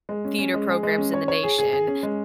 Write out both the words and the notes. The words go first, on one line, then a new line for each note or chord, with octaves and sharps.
theater programs in the nation,
G#3
C#4
C#4
G#3
G#4
G#3
C#4
C#5
C#5
G#4
G#4
G#4
C#4
G#3